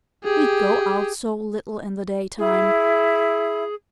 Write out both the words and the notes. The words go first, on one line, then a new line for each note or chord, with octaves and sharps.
"We go out so little in the daytime."
G4 G#4
E4 G#4